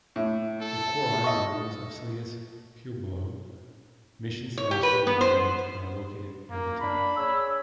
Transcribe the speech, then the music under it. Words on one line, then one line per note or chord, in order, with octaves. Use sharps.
The Quarai Ruins of Salinas Pueblo Missions National Monument are located near the town.
A2
A4
D#5 C#6
C#5
G4
B4
B3
C5
A#3
A#3 D4 B5
G#4 C#5 E6